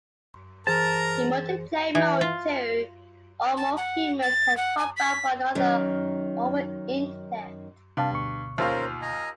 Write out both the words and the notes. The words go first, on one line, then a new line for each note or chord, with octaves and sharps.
In Multiplayer mode two or more humans can combat one another over the Internet.
E3 G#4 A#4 C5 A5 A#5
E3
F4
A5
F#5
A6
F#5
G#5
B6
F#2 D#3
G2 C3 F5 A5
D2 B2 C#6
D#2 C#4 F4 A#4 C5 F5
D#5 G#5 A#5